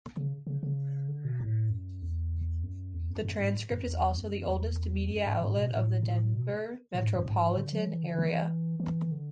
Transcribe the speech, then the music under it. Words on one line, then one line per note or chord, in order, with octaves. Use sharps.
The "Transcript" is also the oldest media outlet of the Denver metropolitan area.
C#3
C#3
C#3
D3
B2
A2
F#2
E2
F#2
E2
F#2
F#2
G#2
F#2
E2
F#2
E2
F#2
G#2
G#2
B2
A2
A2
B2
A2
G#2
F#2
G#2
D3
F#3
E3
D3
E3
E3
D3